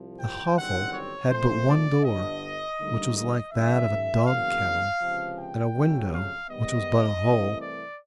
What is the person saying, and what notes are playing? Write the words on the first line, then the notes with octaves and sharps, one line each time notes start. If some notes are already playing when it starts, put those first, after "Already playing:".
The hovel had but one door, which was like that of a dog-kennel; and a window, which was but a hole.
Already playing: C2 C3 F3
G5
G1 F#2 D#3 G3 C4 F#5
C#5
A#2 F3 A3 C4 C5
D5
G1 G2 D3 D#5
D2 D3 G3 A#3 D#4
D#5
F#2 D#3 G#3 E5
E2 C#3 F#3 A#3 F5
C#2 C3 F3
G5
F2 C#3 F#3 A3
F5
G#2 D#3 G3 B3 D#5
C2 C3 E3 A3
D5